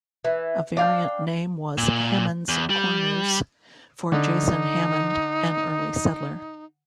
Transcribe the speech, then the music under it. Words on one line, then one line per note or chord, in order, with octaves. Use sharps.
A variant name was "Hammond's Corners", for Jason Hammond, an early settler.
E3
D4 F5 G5
A#2
E2
G3
D3 D#4